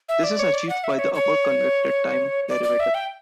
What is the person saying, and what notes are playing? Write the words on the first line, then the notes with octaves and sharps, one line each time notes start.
This is achieved by the upper convected time derivative.
E5
D5
C#5
D5
F#5
E5
C#5
C#5
D5
D5
E5
G5